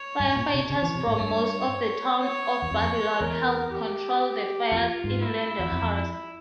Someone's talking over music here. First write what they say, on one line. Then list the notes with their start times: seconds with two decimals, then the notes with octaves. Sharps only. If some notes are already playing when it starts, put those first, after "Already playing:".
Firefighters from most of the Town of Babylon helped control the fires in Lindenhurst.
Already playing: C#5
0.20 G2
0.36 A#2
0.54 C3
0.70 C#3 C#5
0.82 E3
0.95 C3
1.07 G#2
1.20 G2
2.21 C#5
2.62 E2
2.71 F2
3.21 E2 A#4
3.71 G4
4.71 F2 F4
5.04 G#2
5.21 E4
5.59 E2
5.72 F2